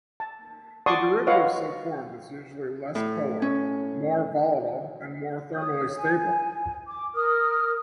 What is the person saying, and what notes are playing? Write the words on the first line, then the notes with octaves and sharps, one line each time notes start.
The derivative so formed is usually less polar, more volatile and more thermally stable.
A5
D5 F#5 A5 C6 C#6 D#6
F4 B4 C#5 D#5 F5 F#5
A2
C#4
C#5 D#6
G#5
D6
A#4 D#6 F6